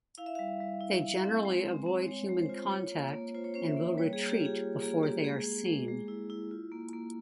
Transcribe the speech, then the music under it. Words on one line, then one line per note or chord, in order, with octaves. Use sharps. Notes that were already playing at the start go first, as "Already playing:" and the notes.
They generally avoid human contact and will retreat before they are seen.
E4 F5
E5
G3 F5
G3
E4
E4
C4
G#3
C4
C4
G#3 C#5
G#3
C5
F4
F4 C#5
A#3
A#3
F4 C5
C#5
C#4 C5
E5
A#3
G3 C#5
G#4
A#3
G4
F4
G#4
F4
A#3 G#4
A#3 G4
G#3 G#4
G#3
G#3
G#3
E4
E4
F4
A#3
A#3